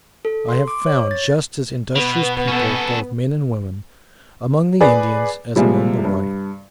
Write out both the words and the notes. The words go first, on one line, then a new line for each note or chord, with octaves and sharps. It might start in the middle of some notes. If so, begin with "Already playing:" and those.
I have found just as industrious people, both men and women, among the Indians as among the whites.
A4
C6
D6
C#5
A6
B2 B3
C#4 A4
G#4 B4 D5
C3 F3 G3 G#3 A#3
G2